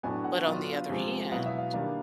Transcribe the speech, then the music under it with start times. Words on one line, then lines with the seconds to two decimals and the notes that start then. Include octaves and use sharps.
But on the other hand,
0.03 A2 F#3 B3 D4 G#5
0.24 F#5
0.46 F#3 B3 D4 F4 F5
0.89 C3 F3 G#3
1.32 B2 F#3 B3 E4 F5
1.46 E5
1.59 F5
1.74 D#3 G3 A#3 D4